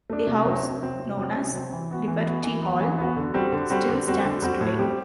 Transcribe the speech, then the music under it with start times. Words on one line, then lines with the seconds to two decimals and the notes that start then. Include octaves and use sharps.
The house, known as "Liberty Hall", still stands today.
0.10 A3 D4
0.27 C3
0.45 F#3 C4
0.63 C3
0.81 F#3 C4
1.00 C3
1.17 F#3 C4
1.36 C3
1.53 F#3 C4
1.72 E3
1.91 B3 F#4
2.08 E3
2.25 B3 F#4
2.44 E3
2.62 B3 F#4
2.81 E3
2.98 B3 F#4
3.16 D3
3.34 G3 C4 F#4
3.52 D3
3.70 G3 C4 F#4
3.89 D3
4.07 G3 C4 F#4
4.25 D3
4.42 G3 C4 F#4
4.61 A2
4.79 G3 C4 G4